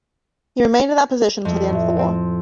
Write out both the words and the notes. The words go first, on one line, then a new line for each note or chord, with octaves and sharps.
He remained in that position until the end of the war.
F2
A2
C4